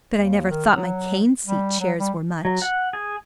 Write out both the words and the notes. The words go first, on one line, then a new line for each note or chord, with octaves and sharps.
But I never thought my cane-seat chairs were much.
D#2
D#3
F#3
G3
F#3
G3
F#3
F#5
G#4